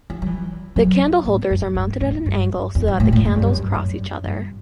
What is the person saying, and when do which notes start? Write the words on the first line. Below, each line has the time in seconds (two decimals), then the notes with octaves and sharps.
The candleholders are mounted at an angle so that the candles cross each other.
0.10 E3
0.22 F#3
0.26 E3
0.76 F#3
1.26 A2
1.51 F#2
1.75 G2
2.01 A2
2.26 G2
2.75 E2
2.88 G2
3.00 A2
3.13 A2
3.25 F#2
3.36 G2
3.47 F#2
3.74 F#2
4.24 G2